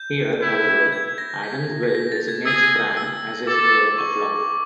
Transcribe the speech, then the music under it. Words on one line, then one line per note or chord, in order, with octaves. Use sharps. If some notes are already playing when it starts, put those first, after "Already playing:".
Here, however, Adam's will designates Fran as his heir at law.
Already playing: G6
E4
G#6
A#6
B6
B6
A#6
A6
G#6
G#4 E6
E6
A4 D6
C#6